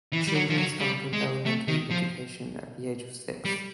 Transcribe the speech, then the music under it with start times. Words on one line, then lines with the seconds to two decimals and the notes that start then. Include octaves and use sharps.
Children started elementary education at the age of six.
0.13 E3
0.27 G3
0.35 F#3
0.50 F3
0.58 F#3
0.80 G3
1.13 G#3
1.46 A3
1.68 D#3
1.91 F3
3.45 G3